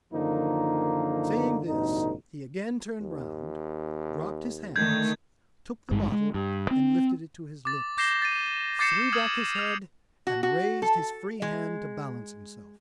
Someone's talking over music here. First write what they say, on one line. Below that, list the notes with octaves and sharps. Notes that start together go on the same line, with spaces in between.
Saying this he again turned round, dropped his hands, took the bottle and lifted it to his lips, threw back his head, and raised his free hand to balance himself.
F#2 D3 D#3 F3 A#3 D#4
A1 G2 B2 D3 D#4
D#2
D3 D#3 A3 G6 G#6
G#1 G2 G#3
G#3
G2
C4
D6 A6
D6 G6 A#6 C7 E7 G7
A6 D#7
D6 G6 A6 C7 C#7 E7
D#6 F6 G#6 F#7
F6 F7
F#4
F#4
A4
G#3